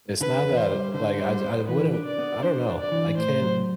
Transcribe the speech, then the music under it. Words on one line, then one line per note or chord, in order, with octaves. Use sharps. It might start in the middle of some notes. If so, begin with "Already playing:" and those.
it's not that, like, I j I wouldn't I don't know. I can't
D3 B4
E2
C5
G3
D3 C5
G3
B3
E3 B4
D4
D5
B3
D4 C5
D4
D5
E3
A2 C5
F#3